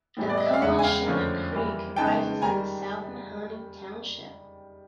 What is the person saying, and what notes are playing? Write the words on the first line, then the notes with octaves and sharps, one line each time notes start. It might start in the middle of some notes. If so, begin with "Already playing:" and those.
The Cowanshannock Creek rises in South Mahoning Township.
A2 E3 G3 B3
D5
D#5
E5
F5
E2 C#3 E3 G#3 E5 F#5
G#5
F5 G5
F2 D3 F3 A3 C#4
E3 G3 A#3
C#3 E3 G#3 B3 D#4 G5 A5
D#3 G3 G#5 A#5